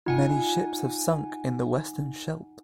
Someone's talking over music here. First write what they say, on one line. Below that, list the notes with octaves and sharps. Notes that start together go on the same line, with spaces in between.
Many ships have sunk in the Western Scheldt.
D#4 F4 F#5 G#5